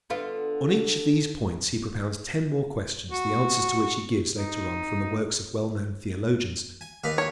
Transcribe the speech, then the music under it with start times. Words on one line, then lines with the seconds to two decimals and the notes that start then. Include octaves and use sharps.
On each of these points he propounds ten more questions, the answers to which he gives later on from the works of well-known theologians.
0.10 D3 B3 F4
3.10 F#4
4.34 D#4
6.81 G#5
7.04 D#2 B4 F5
7.18 C#5